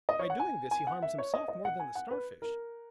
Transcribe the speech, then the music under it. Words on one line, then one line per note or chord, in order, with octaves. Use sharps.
By doing this he harms himself more than the Starfish!
D#5
C#5
F#5
G#5
G#5
F#5
E5
C#5
D#5
D#5
F#5
G#5
F#5
B4
A#4